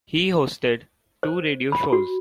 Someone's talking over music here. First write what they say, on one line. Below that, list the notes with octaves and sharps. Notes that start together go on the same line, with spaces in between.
He hosted two radio shows.
C5
B5
F#4